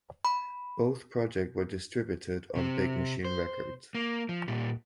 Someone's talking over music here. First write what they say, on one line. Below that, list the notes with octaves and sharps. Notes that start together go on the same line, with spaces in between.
Both projects were distributed on Big Machine Records.
B5
C3 C4
C5
A#3
F3
A#2 G3